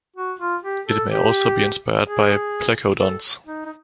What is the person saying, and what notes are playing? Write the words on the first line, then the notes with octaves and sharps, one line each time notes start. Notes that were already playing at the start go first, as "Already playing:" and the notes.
It may also be inspired by placodonts.
F#4
F4
G4
A4
G4
G#4
A4
D#4
D#4